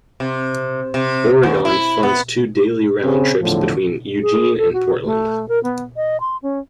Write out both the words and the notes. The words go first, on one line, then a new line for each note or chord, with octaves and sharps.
Oregon funds two daily round trips between Eugene and Portland.
C3
C3
D#2
E4
B3
C#3 C4
E2 A2 D3 F3
G#4
A4
F#4
A3
A#4
B3
D#5
C6
C#4